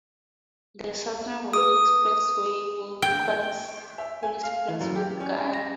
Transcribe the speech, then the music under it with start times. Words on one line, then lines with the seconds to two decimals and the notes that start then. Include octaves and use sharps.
The Southern Wake Expressway would connect Holly Springs with Garner.
1.53 G#4 B4 D#6
3.02 G5
3.98 E5
4.23 G#5
4.43 F5
4.68 E3
4.81 F#2
4.95 G4
5.20 C#4
5.37 C#4
5.54 A#6